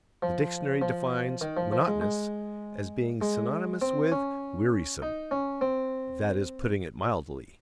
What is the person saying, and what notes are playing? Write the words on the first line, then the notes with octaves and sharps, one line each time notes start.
The dictionary defines "monotonous" as being synonymous with "wearisome." That is putting it mildly.
F3
F3
D#3
F3
F3
G#3
G#3
G#3
C4
C#4
D#4
C#4
C4